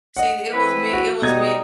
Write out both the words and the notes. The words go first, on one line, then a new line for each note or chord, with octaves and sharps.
See, it was meant it was meant
D#5 F#5
E3 C4 B4
F#4
B2 G3 D#4 G#6